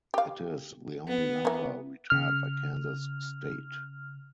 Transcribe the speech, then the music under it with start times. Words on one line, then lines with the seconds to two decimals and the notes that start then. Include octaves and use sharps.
It is the only number retired by Kansas State.
0.14 G4 F5
1.08 B3
1.45 E3 A#4
2.10 C#3 F6